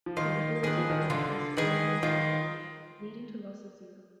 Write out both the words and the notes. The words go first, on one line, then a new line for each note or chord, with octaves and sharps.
Calibrated calipers may be mishandled, leading to loss of zero.
F3
D#3 F4
D#3 G#4 B4
F3
D#3
D3 F4
D#3 G#4 B4
D#3 F4